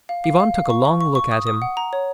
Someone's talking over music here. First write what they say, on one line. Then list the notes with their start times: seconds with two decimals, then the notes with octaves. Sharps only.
Ivan took a long look at him.
0.09 F5
0.24 F5
0.40 F5
0.55 F5
0.70 C#6
0.85 C#6
1.01 C#6
1.15 C#6
1.31 D#6
1.47 D#6
1.62 F#5
1.77 A#5
1.93 C#5